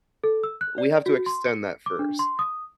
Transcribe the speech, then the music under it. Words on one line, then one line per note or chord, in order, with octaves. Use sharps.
we have to extend that first.
A4
E6
F#6
D5
F#4
C6
C#7
D6
D4
C6
D#6